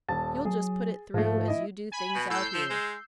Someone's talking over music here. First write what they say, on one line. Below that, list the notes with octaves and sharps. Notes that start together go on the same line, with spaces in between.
You'll just put it through, as you do things out here.
D#1 A5 A6
F#3 G#4
G#2 F3 A3
E4 D#5
G#5 B5
B2
A2 E6 G6 C7
F3
G#3